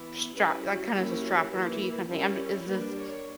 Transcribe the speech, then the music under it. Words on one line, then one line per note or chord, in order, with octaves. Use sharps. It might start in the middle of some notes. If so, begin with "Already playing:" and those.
strap like, kinda has a strap, an RT kinda thing. I'm is this
Already playing: E3 B3 E4
G3 C#4 E4 B4
F#4
F#3 A#3 C#4 E4 G4
E3 A#3 E4
G3 C#4 E4 A#4
G3 A#3 D4 B4
C#5